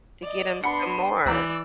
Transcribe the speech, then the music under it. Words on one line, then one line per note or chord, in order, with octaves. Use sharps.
to get 'em some more.
D5 D#5
B3 D4 F#5 B5 C6 C#7
D2 E3 D5 A#5 E6